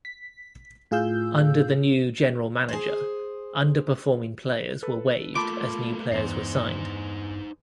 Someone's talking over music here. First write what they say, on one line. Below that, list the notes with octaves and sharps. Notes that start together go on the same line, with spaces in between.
Under the new general manager, underperforming players were waived as new players were signed.
B6
A2 F4 G#4 F5 E6 G6
G#4 C5
A4 B4
A3 A#3 F4 A5 B5 C6 D6
E2 G2 D#4 C5 C7